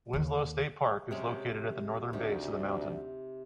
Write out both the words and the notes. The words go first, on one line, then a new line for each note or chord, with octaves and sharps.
Winslow State Park is located at the northern base of the mountain.
D#2 F4
C3 G#3 C#4
D2 C3 D#4